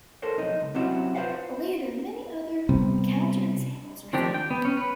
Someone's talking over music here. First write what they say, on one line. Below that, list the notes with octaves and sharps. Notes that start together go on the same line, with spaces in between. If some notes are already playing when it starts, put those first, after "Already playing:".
Later many other counterexamples were found.
A4 A#4 C5 C#5
B1 F2 D#4 D#5
C#2
C3 F#3 C#4 E4 F#4
F4 B4 C5 F5 F#5
C3 G3 B3 C4
D#3 F3 C4 D4 G4
G5
B3
C#4
B4